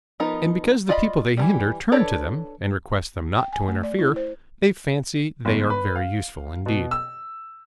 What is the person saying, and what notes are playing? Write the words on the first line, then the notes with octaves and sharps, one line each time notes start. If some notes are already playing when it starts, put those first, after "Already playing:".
And because the people they hinder turn to them and request them not to interfere, they fancy they are very useful indeed.
F3 B3 D#4 A#4 B4
F4 D5 D#5 G#5 B5
E3 F3 G3
D4 A4 B4 C#5 D5
G5
G#5
A3
D5
E4
C5
G1
B4
F5
B2
E6